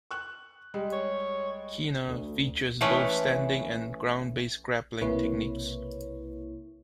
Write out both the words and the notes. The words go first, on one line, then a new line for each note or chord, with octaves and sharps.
Qinna features both standing and ground-based grappling techniques.
C#6 F#6
G3 G#3
C#5
D2
E3 G#3 A3 C#4 B4
B1 C3 A#3 E4 B4 C#5